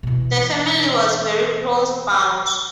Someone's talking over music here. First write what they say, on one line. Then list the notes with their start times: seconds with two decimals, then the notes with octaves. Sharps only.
The family was very closely bound.
0.03 B2 E3